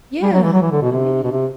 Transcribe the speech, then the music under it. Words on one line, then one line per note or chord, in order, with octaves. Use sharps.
yeah, I mean
G3
F#3
E3
F#3
E3
D3
B2
C3
B2
C3